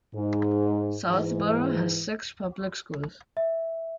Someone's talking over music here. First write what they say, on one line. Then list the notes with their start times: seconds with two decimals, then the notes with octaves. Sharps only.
Southborough has six public schools.
0.14 G#2
1.07 G#2 E3
3.37 E5